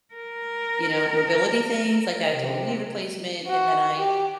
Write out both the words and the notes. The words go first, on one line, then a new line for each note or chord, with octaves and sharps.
you know, mobility things, like, a total knee replacement and then I
A#4
C3
F#4
G4